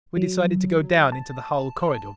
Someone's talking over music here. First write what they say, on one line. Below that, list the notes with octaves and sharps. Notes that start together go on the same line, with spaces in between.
We decided to go down into the hull corridors.
F#3
A5